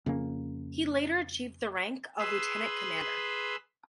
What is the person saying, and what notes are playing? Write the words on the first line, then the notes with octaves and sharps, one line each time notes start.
He later achieved the rank of Lieutenant-Commander.
F2 C#3 A#3 C#4
G#4 B4 B5 C6 E6